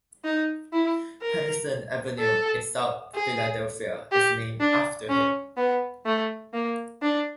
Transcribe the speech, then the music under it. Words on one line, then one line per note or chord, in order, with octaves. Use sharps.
Pattison Avenue in South Philadelphia is named after him.
D#4
E4
A#4
A4
G#4
G4
D4
C#4
B3
A3
A#3
D4